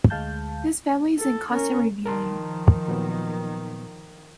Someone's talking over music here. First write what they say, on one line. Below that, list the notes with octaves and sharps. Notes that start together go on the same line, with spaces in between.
This family is in constant reviewing.
D2 G#3 F5 A5 G6
A4
C#4 A#4
D#3 F3 A#4 A5 C6
A#2 F#3 B3